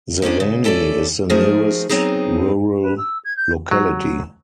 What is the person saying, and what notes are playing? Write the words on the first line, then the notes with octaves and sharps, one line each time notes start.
Zeleni is the nearest rural locality.
F3 A#3 C#4 D4
C#3
C#4 E4 A4 C#5 D5
F3 A3 D#4 F#4 G#4 A#4
F#3 B3 C4 D#4 G#4
B4
E6
G#6
G6
F#3